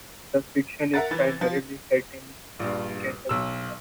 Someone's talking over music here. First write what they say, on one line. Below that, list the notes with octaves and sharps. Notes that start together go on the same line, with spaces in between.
The fiction is primarily set in Cantabria.
A#4 E5 F#5 A#5 A6
E3 B4 A6
F3
A#1 G2
B1 E6